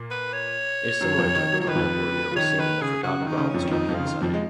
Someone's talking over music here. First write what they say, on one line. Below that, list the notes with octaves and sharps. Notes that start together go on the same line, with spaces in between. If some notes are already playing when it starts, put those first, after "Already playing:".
A similar type of undead warrior was seen in the "Forgotten Realms" campaign setting.
Already playing: A#2 A#3
B4
C#5
F#2 F#3
F2 F3
D#3
F#3
F3 C#5
D#3 B4
F2 F3
F3
D#3 C#5
D#3 B4
C#3 G#4
C#3 F#4
D#3
D#4
D#3
C#3
C#4
F2 F3
D#3
F2 F3 D#4
F2 F3
C#3 F4
D#3
F2 F3
G#3